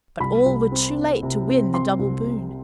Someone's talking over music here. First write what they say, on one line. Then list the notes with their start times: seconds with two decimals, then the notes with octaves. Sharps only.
But all were too late to win the double boon.
0.20 C2 B5
0.46 C2
0.72 C4
0.97 C4
1.23 C3
1.48 C4
1.73 C4 C6
1.99 C2
2.25 C3